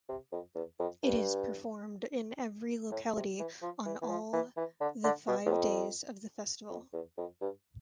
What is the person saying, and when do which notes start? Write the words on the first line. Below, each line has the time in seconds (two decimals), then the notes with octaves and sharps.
It is performed in every locality on all the five days of the festival.
0.09 C3
0.32 F2
0.55 E2
0.79 F2
1.03 G2
2.91 A2
3.15 C3
3.39 E3
3.62 F3
3.86 E3
4.02 E3
4.09 F3
4.33 E3
4.57 E3
4.80 D3
5.04 D3
5.28 B2
5.46 E2
5.52 F2
6.69 F2
6.93 E2
7.18 F2
7.41 G2